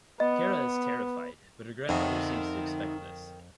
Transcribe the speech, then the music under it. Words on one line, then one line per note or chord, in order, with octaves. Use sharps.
Cara is terrified, but her grandmother seems to expect this.
B3 D#5
F2 C3 B3 C4 D#4 A#4 G5